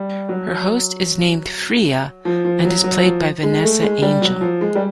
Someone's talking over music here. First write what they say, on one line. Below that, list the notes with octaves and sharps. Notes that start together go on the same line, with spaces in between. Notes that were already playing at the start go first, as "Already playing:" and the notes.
Her host is named Freyja, and is played by Vanessa Angel.
Already playing: G3
F#3
F3
F3
F#3
F#3
F3
G#3
A3
G#3
G3
F#3
F3
G#3
G3